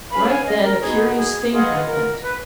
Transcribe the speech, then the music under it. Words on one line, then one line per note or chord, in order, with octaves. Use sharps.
Right then a curious thing happened.
C#4 G#4 B4 F5 B5
G#5
D#5
A#4
B3 D#4 F#4 G#4 B4
G#4
F4 G#4 B4 D#5 F#5
A#4
B4